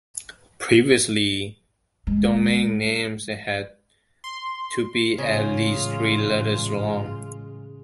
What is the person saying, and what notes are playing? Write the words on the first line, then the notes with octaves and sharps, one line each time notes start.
Previously, domain names had to be at least three letters long.
G#3
C6
A1 C#3 G#3 F4